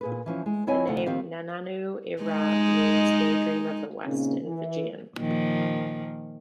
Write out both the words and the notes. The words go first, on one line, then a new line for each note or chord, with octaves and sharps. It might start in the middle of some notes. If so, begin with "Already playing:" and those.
The name "Nananu-I-Ra" means "Daydream of the West" in Fijian.
A#2 G#4 B4
E3 F3 C#4
G#3
D2 C4 E4 C#5 D#5 G#5
D2 C3 D#4 A4 F#5
D#2 D#3 C4 G4 C5 F5
G#3 D#4
A#2 C#3 A#3 C4 C#4 D#4
E3
A#2 D#3 F3